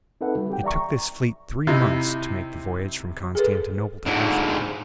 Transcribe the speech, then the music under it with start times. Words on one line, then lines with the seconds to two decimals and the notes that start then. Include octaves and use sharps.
It took this fleet three months to make the voyage from Constantinople to Africa.
0.21 C4 D#4 A4 B4 E5 F#5
0.35 G3 F#4
0.50 G4 G5
0.64 D5 E5 A#5 C#6
1.67 C3 D#4 E4
3.35 G#4 A4 B4
4.06 G#2 D3